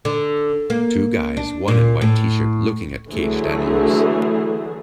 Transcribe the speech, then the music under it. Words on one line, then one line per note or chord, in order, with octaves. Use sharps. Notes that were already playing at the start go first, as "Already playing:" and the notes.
Two guys, one in white tshirt, looking at caged animals.
D3
A#3
D4
A#2
A2
D3 E3 F#3 A3 G#4